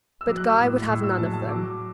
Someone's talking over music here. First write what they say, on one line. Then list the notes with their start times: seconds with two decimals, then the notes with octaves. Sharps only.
But Guy would have none of them.
0.21 E6
0.27 F#3 D6
0.37 F#6
0.47 E6
0.57 A2
0.87 A2 E6
1.03 E6
1.17 F#3 A5
1.34 A5
1.48 F#3 D6